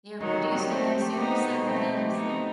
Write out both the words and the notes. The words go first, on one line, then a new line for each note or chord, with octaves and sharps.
They are produced and consumed simultaneously.
D#3 F#3 D#4
G3
G3
G3 A3 C4
G4
G4
B3 C4 D#4
A3
B2
A3 C4 D#4
D#4
G4
A3 B3 D#4
C4